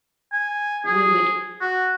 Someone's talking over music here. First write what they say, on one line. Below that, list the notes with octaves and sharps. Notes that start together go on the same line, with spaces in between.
we would
G#5
G#4
F#4